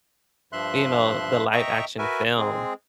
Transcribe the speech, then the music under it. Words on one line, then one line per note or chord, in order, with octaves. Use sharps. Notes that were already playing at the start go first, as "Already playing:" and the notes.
you know, the live action film.
G2 F3 E5 C6 F#6
D#5 E5 G5 A#5 C#6
F#4 A#4 B4 E5 G#5
G#3 C4 G#4